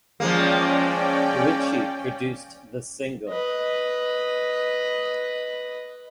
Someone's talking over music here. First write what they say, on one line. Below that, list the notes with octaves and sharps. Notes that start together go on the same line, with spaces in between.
Richie produced the single.
F3 G#3 A#3 C#4 D5 G5
B4 D#5